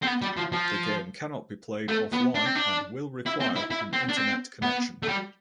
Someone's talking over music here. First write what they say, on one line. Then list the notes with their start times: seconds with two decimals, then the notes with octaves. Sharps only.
The game cannot be played offline and will require an internet connection.
0.03 C4
0.07 B3
0.22 G3
0.37 F3
0.52 F3
1.89 A3
2.12 B3
2.34 D4
2.45 C4
2.55 D4
3.26 E4
3.41 C4
3.56 E4
3.71 E4
3.93 C4
4.09 D4
4.17 C4
4.62 B3
5.03 A3
5.08 G3